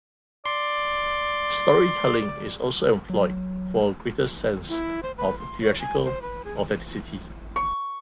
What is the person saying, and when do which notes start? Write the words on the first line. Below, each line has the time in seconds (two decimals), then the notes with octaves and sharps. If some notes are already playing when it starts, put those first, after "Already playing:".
Storytelling is also employed for a greater sense of theatrical authenticity.
0.46 D5 C6
3.10 F#3
4.69 E4
5.03 C5
5.18 B4
5.39 C6
5.61 C#5
5.80 G#5
6.04 C5
6.22 B4
6.45 G#4
7.56 C#6